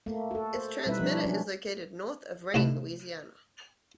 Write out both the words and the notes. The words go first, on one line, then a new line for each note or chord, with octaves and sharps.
Its transmitter is located north of Rayne, Louisiana.
A3 A#3
F#4 A4
C5
B2 G3 D#4 E4 B4 E5
F3 D4 C#5
F#3 C#4 D4
C2 A2 D#4 E4 B4 A5